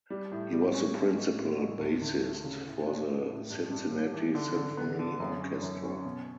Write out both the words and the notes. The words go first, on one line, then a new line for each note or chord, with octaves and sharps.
He was the principal bassist for the Cincinnati Symphony Orchestra.
G3
A2
G3
C#4
A3
A1
A2
A1
D2
D2
A3
C#3
A2
D4
A1
A2
G2
G2
G2
E3
D3
D3
B3
D3
F#2
C#4
F#2
C#4
B2